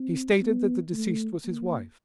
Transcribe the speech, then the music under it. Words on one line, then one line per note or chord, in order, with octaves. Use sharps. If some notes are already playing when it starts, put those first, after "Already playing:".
He stated that the deceased was his wife.
Already playing: C4
B3
A3
A#3